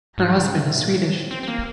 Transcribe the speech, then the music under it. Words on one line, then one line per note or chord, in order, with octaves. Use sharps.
Her husband is Swedish.
G#2
D#3
C#3
C3
A#2
F#3
C4
C4
C4
A#3